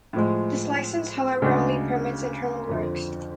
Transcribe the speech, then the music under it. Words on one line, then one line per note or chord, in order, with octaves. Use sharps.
This license however only permits internal works.
A2 F3 G#3
D2 C#3 G#3 D4 F#4
F2 D3 F3